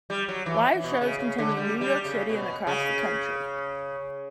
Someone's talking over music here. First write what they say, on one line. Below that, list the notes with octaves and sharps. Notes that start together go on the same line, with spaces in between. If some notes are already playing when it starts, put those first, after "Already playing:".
Live shows continue in New York City and across the country.
G3
F#3
E3
B2
C#3
C#3
D3
G3
G3
C#3
B2
C#3